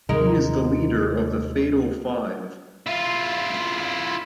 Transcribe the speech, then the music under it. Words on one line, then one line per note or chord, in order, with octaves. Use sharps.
He is the leader of the Fatal Five.
D#2 C3 D#3 G#3 D#4 A#4
E4 F4